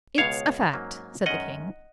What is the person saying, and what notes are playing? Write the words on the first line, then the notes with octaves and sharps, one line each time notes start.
"It's a fact," said the King.
C#2 B2 G#3 B3 C#5 F5
G#2 F#3 A#3 C#4
F#2 D#3 G#3 C#4 D#5 F#5